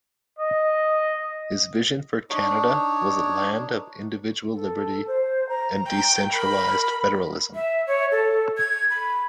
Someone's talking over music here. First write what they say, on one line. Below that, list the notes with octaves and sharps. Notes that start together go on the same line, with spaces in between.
His vision for Canada was a land of individual liberty and decentralized federalism.
D#5
D4 D#4 C#5
A4
C5
A#5
G5
A#4 B5
E5
C#5
A4
G#6
B5